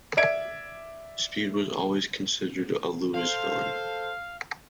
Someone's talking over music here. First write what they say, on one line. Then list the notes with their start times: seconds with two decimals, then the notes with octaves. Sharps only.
Speed was always considered a Louisvillian.
0.17 D5 E5 G#6 D7
3.14 A4 C5 F5